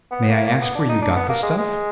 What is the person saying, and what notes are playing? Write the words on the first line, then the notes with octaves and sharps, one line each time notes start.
"May I ask where you got the stuff?"
B3
A#3
A#3
B3
D4
D#4
D4
B3
A#3
G#3
G#3